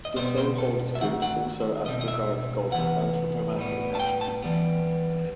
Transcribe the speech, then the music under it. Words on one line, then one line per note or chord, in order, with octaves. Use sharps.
The same holds good also as regards God's anthropopathic attributes.
D#5
B2 G3 B3 C5
C5
A4
E5
D#3 A3 C4 F#5
F#5
B2 G3 C4 D#5
D#5
E5
C3 E3 B3 F#5
A2 G3 B3
A5
G5
A5
E3 G3 B3